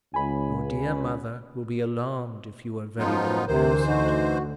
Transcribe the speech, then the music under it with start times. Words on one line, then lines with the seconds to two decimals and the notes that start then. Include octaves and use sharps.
Your dear mother will be alarmed if you are very long absent.
0.14 C#2 G#5 B5
2.99 F#2 F3 B3 D#4 F4
3.48 D2 C3 E3 A#4 C5
3.87 D#4 F#4